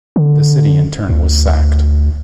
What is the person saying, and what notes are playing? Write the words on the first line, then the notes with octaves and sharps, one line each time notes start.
The city in turn was sacked.
D3
D2